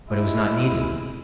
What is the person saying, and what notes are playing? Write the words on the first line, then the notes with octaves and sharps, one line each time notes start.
But it was not needed.
G#3 E4